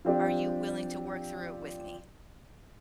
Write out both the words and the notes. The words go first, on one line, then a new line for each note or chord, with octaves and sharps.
are you willing to work through with me?
F3 C4 D4 G4